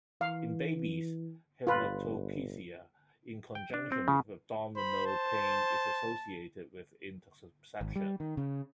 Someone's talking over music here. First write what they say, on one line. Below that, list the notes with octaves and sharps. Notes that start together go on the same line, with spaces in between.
In babies, haematochezia in conjunction with abdominal pain is associated with intussusception.
E3 F5
G1 F4 B4
G5
D4
C4
C#3
C5 B5
A5
G#1
G3
D#3
C#3